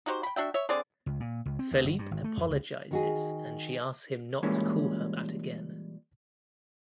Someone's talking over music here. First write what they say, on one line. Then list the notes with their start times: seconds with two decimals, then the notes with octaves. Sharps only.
Felipe apologizes and she asks him not to call her that again.
0.06 D#4 F#4 G4 C5
0.23 G5 B5
0.36 D4 F#4 E5 G5
0.54 C#5 E5
0.69 D3 C4 G#4 D5
1.06 C#2
1.20 A#2
1.45 C#2
1.59 C4
1.71 D2
1.85 G1
1.99 G2
2.11 G#1
2.24 A3
2.37 F2
2.50 C#2
2.91 D#3 F#4 G#4
4.43 A#2 E3 G3 G#3 A#3 C#4